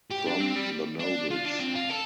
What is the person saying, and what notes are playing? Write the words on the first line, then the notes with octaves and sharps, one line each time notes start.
From the nobles.
G4
D4
C4
G3
D4
F4
D4
C4
F4
A4